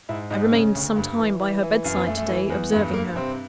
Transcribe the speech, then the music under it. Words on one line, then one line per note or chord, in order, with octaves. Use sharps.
I remained some time by her bedside to-day, observing her.
G#2 E4
G#2 D#4
C#3 C#4
D2
G2
E3
E3
E3
F#2
B3
F#2 A3
A3
E3
E2
G2 A3
G2 A#3
C3 C4